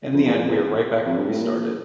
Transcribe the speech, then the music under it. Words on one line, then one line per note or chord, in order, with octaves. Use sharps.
In the end, we are right back where we started.
F2
E2
F2
E2
F2
G2
A2
A#2